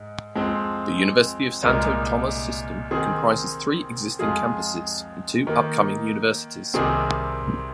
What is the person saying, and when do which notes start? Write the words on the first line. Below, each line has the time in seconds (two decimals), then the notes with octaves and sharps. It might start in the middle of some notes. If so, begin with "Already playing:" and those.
The University of Santo Tomas System comprises three existing campuses and two upcoming universities.
Already playing: G#2
0.35 F2 F3 G#3 C4
1.63 C2 A#2 G#3 D#4 A#4
2.91 D#3 C4 G#4
4.19 F2 F3 G#3 F4 G#4
5.47 D#3 A#3 D#4
6.74 C2 C3 D#3 C4 G#4